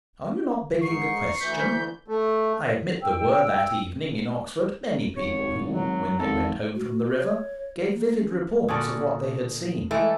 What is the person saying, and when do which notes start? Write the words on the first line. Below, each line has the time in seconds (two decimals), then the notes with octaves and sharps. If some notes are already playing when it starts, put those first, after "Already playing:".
Are you not begging the question? I admit there were, that evening in Oxford, many people who, when they went home from the river, gave vivid reports of what they had seen.
0.83 G#2 C#6 C7
1.40 D2 E3 G6 B6
2.08 A3
3.02 G5 E6
5.17 G#1 C#5
5.72 F#3
6.19 G#1 A4
6.76 F#4
7.17 C#5
7.86 A#3
8.18 C#4
8.69 A#2 D3 C#4 D4 F#4 D5 A5 D#6
9.91 E3 G#3 A3